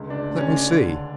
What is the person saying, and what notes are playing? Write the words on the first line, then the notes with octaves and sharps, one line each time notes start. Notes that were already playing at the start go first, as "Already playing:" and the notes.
"Let me see?"
Already playing: C#2 D3
D4
C#2
C#4
D4
D3